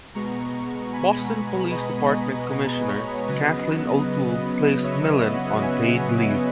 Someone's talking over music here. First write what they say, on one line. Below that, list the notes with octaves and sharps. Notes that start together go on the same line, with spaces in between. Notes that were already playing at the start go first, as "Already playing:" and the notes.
Boston Police Department Commissioner Kathleen O'Toole placed Milien on paid leave.
B2 G#3 B3 A#5 C#6
G#5 B5
B4 D#5
B4
C#5
C#3 F#3 B3 B4 D#5
C#5 E5
D#5 F#5
E5 G#5